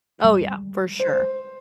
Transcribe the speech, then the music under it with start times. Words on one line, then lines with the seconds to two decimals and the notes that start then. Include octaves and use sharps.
Oh, yeah, for sure.
0.24 G3 G#3
0.99 C5